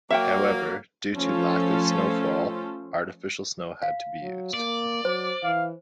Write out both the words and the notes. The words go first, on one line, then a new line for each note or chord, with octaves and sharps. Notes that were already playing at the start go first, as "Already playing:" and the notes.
However, due to a lack of snowfall, artificial snow had to be used.
F#3 A#3 E5 F#5 G5
F3 A3 C#4 F4 A4 C5
F5
F#3
A#3 D5
F#3 C5
E3 F5